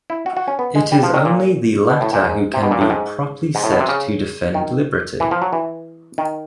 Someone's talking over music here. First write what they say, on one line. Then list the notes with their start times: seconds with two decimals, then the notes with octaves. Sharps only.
It is only the latter who can be properly said to defend liberty.
0.10 E4
0.26 F#4
0.37 F#4
0.48 C#4
0.59 B3
0.75 G#3
0.92 G3
1.03 F3
1.14 D#3
1.25 A#2
1.90 B2
2.01 A2
2.13 A#2
2.24 G#2
2.54 C3
2.63 B2
2.71 A#2
2.81 A2
2.90 G#2
3.55 G#2
3.64 A2
3.72 B2
3.80 C3
3.89 C#3
4.54 D#3
5.20 E3
5.31 F3
5.42 F#3
5.53 E3
6.18 D#3